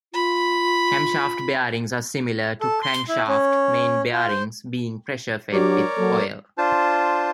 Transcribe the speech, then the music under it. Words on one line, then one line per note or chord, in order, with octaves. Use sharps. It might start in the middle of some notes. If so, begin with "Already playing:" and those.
Camshaft bearings are similar to crankshaft main bearings, being pressure-fed with oil.
F4 B5
A4
C6
E4
C#4
F4
C5
F#3 D4 G4 A#4 C#5 D5
F#3 A#3 A4
D4 F4 C5 A5